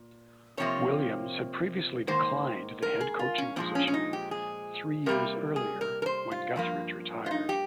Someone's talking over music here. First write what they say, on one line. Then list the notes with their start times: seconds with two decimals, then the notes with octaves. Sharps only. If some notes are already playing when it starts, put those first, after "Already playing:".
Williams had previously declined the head coaching position three years earlier when Guthridge retired.
Already playing: A#2
0.57 F2 C3 F3 A#3 C#5
2.07 G#2 D#3 A#3 C5
2.82 A#4
3.01 G#4
3.19 F4
3.38 C#4
3.56 A#2 F3 G#3 C4
3.75 C#4
3.87 C#4
3.94 D#4
4.13 G4
4.31 G#4
5.06 C3 G3 A#3 A#4
5.56 G#4
5.81 A#4
6.02 A#4
6.06 C5
6.31 F4
6.56 G2 F3 A#3
7.26 F4
7.31 D#4
7.49 G4